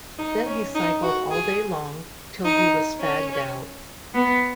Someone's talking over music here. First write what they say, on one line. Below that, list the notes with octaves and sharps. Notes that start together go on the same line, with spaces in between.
Then he cycled all day long, till he was fagged out.
D#4
C#4
D#4
F#4
G#4
D#4
C#4
B3